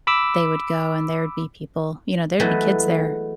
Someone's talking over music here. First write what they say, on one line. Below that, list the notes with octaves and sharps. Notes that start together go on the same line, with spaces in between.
they would go, and there'd be people you know, there'd be kids there,
B5 D6 E6
E3 F#3 G#3 A3 B3